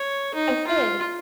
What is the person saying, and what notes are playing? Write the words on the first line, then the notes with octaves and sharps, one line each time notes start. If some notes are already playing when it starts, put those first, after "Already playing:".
Oh, good.
Already playing: C#5
D#4
F4